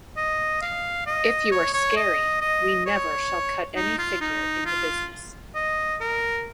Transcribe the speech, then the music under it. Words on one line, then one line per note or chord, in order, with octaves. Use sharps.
If you are scary, we never shall cut any figure in the business.
D#5
F5
D#5
C#5
C#5
D#5
D#5
C#5
D#4
F4
D#4
F4
D#5
A#4